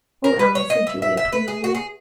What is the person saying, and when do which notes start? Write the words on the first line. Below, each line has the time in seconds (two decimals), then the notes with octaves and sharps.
"O Ellen!" said Julia pleadingly.
0.24 A#4
0.39 B4
0.55 C#5
0.70 D#5
0.87 E5
1.02 E5
1.17 E5
1.33 B4
1.48 G#4
1.64 F#4
1.75 G#4